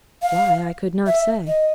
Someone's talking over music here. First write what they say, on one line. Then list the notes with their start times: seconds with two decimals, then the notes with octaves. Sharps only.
Why, I could not say.
0.22 F5
1.07 E5
1.48 D#5